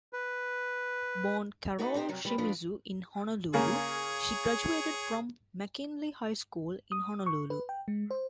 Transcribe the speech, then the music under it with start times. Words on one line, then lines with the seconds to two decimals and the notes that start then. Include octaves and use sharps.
Born Carole Shimizu in Honolulu, she graduated from McKinley High School in Honolulu.
0.13 B4
1.79 D4 D#4 F#4 A4 B4 D#5
1.94 C4 D4 D#4 G4 C5
2.08 F#2 C3 F#3 G3
2.25 G3 G#3 B4
2.38 F3 B3 D4 F4
3.54 C#3 A#3 G#4 C#5
6.92 D#6
7.26 C#6
7.50 B4
7.69 G5
7.88 G#3
8.11 C5